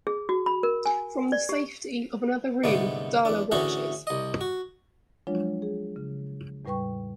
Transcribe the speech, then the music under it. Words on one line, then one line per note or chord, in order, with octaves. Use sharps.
From the safety of another room, Darla watches.
G#4
F#4
B5
A#4
G#5
D5
G4
C2 G#2 D3 A3 B3
E2 D4
A2 D3 E3 C#4 F#4 G#4
C2 D#5
F#4
F3 F#3 G#3 D4 F4 C#5
G#4
C#3
E2 A2 G3 B4 G5 C#6